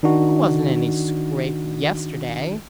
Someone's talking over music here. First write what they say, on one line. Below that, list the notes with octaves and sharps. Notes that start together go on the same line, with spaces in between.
"I wasn't in any scrape yesterday."
D#3 D4 D#4 F#4